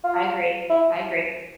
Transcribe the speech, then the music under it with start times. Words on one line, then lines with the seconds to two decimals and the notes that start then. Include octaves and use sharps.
I agree, I agree.
0.04 F4
0.69 E4